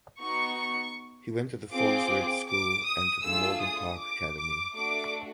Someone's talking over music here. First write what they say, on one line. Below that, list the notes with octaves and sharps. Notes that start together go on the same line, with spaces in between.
He went to the Forest Ridge School and to the Morgan Park Academy.
B3 D#4 F#4 C#6
C4 F4 G#4 D6
D6
D#6
A3 D4 F4 G#4 E6
D#6
D6
D6
A3 D4 F#4 D6